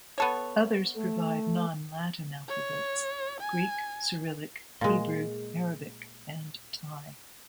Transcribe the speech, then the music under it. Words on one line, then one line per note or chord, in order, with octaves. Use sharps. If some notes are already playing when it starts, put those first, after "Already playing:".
Others provide non-Latin alphabets: Greek, Cyrillic, Hebrew, Arabic and Thai.
B3 A4 C#5
A3
C#5
G#5
A#2 G#3